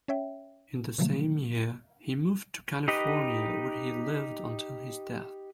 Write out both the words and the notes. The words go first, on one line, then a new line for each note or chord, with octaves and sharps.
In the same year he moved to California, where he lived until his death.
C#4 C#5 E5 G5
B2 D3 F3 F#3 A3 A#3
D#4 G4 B4 D#5